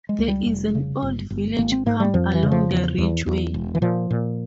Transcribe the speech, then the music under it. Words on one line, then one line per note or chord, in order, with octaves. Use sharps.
There is an old village pump along the Ridgeway.
G#3
C#2
G3
F1
C#3
G1
G1
G#1 A#3
C4
G#2 A#3
G3
F2 F3
E3
C#3
F3
E2
E2
E2
E1
E3
A#2 F3
A#2